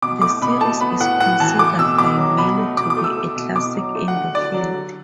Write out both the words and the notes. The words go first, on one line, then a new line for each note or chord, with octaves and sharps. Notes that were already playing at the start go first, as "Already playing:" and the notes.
The series is considered by many to be a classic in the field.
B2 D6
A3 D6
B2 B5
A3 A5
B3 B5
A2 F#5
A2 F#5
E3 A5
A3 D6
B2 E6
B2 D6
F#3
B2 B5
A3
B2 D6
D6
A3
E6
A3
B2
B2 D6
F#3
A3
F#5
D3
D3 D5
F#3
D3